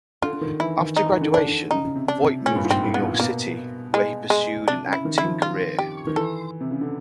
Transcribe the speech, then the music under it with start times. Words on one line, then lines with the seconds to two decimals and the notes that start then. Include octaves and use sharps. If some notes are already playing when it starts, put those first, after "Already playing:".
After graduation, Voight moved to New York City, where he pursued an acting career.
0.22 D3 F4
0.33 D3
0.41 D#3
0.60 E3 E4
0.79 D#3
0.96 D#4
1.04 E3
1.13 D#3
1.21 D3
1.34 D4
1.47 D3
1.71 C#3 D#4
1.85 C#3
1.95 C3
2.08 D4
2.21 C3
2.45 A#2 C#4
2.56 G2
2.64 G#2
2.71 C4
2.82 A2
2.94 B3
3.01 A#2
3.19 B2 A#3
3.94 G#3
4.30 G#3
4.67 C3 D4
4.87 C#3
4.93 E4
5.05 D#3
5.18 E4
5.23 F3
5.42 F4
5.79 G4
6.07 D#3
6.16 E3 A4
6.60 C3
6.71 C#3
6.81 D3